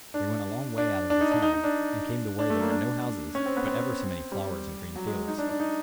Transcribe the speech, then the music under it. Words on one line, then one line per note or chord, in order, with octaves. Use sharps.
They went a long way out of the town, and came to where there were no houses, but ever so many flowers and green fields.
D4
D4
D4
D#4
D4
D#4
D#4
D4
D4
A3
A#3
D4
C#4
C4
B3
C4
G3
F#3
G#3
D#4
D4
D4
D#4